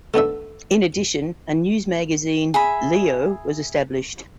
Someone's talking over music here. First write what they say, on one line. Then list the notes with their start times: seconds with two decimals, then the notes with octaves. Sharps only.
In addition, a newsmagazine, "Leo", was established.
0.14 A3 B3 D4 E5
2.54 G#4 E5 B5